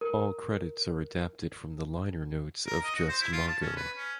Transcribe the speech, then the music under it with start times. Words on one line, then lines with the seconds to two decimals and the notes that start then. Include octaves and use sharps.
All credits are adapted from the liner notes of "Just Margo".
0.01 A#4
2.67 A#4
2.84 D#5
2.95 F#4
3.09 C5
3.21 E4
3.33 F4
3.47 A5
3.61 C#4
3.76 B4
3.97 C#4